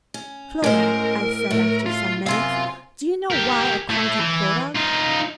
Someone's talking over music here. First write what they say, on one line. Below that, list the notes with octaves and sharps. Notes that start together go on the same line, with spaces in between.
'Clodagh,' I said after some minutes--'do you know why I called you Clodagh?'
C#4
A2 G#3 C#4 A#4 C5
A2 A3
F4
F#2 C3 B3 C4 F5 G#5 C6
G4 A#4
A3 E4
E3
D#4 F4